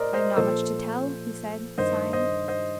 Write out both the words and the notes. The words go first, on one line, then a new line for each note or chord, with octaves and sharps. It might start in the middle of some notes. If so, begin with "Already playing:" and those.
"I have not much to tell," he said, sighing.
Already playing: A2 A#4 C5 D5 D#5
C5 D#5
A#2 F3 A4 C5
G2 D#3 C5 D#5
C5 D#5
C5 D#5